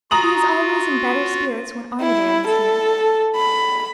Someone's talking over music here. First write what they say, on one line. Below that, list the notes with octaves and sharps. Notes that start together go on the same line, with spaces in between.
He is always in better spirits when Armadale is here.
F4 F#4 A#5 D#6 F#7
E4
A4
B5